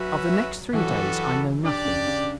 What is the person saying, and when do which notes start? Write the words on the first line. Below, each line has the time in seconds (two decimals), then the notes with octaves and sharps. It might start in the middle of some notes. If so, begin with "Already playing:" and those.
Of the next three days I know nothing.
Already playing: F#3 C#4 F#4 B4 E5
0.73 E3 G3 B3 F#4 A4
0.82 F#3
0.89 E3
1.62 D3 D4 G4 D5
1.84 C#3
2.07 C#3